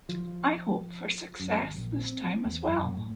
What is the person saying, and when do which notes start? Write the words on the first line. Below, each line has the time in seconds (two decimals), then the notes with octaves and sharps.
I hope for success this time, as well.
0.09 F3
1.40 F#2
1.61 G#1
1.76 A#1
1.99 C4
2.45 E2
2.67 F#2
2.97 A2